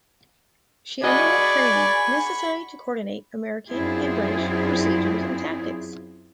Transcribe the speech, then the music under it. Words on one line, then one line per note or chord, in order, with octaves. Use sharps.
She underwent training necessary to coordinate American and British procedures and tactics.
F#4 G#4 D5 D#5 G#5 B5 C#6
F#2 C4 D4 E4 F4 G#4